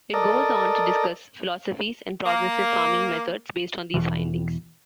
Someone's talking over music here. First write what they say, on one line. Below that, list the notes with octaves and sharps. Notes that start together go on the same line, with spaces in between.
It goes on to discuss philosophies and progressive farming methods based on these findings.
A4 A#4 D5 D#5
A#3
E2 B2 E3